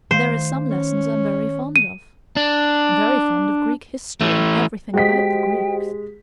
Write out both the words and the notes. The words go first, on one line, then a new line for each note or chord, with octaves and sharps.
And there are some lessons I'm very fond of. I'm very fond of Greek history, and everything about the Greeks.
D#3 A3 C5 F5
C#4
D#7
D4
E3 A3
G#3 F#4 G4 C5 D#5 G5 B6